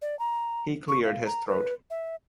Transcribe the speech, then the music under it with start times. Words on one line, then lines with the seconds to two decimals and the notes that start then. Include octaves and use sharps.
He cleared his throat.
0.02 D5
0.19 A#5
0.88 C#6
1.05 F5
1.26 A#5
1.47 B4
1.90 E5